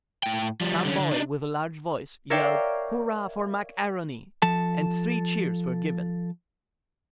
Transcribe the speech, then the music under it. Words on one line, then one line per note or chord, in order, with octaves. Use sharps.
Some boy with a large voice yelled, "Hurrah for Mac A'Rony!" and three cheers were given.
A2 G5
F3 G3
D3 C#4
D3
D4 D#4
A#4 C#5 D5 E5 F5 G5
F3 A4 A5